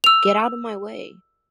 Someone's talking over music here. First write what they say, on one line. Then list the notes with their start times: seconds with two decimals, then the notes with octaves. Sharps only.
Get out of my way!
0.04 E6 F7